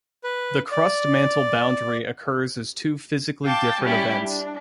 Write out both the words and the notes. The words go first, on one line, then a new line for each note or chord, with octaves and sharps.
The crust-mantle boundary occurs as two physically different events.
B4
D5
F5 G5 A5 D6
G3 C#4 E4 G4
D4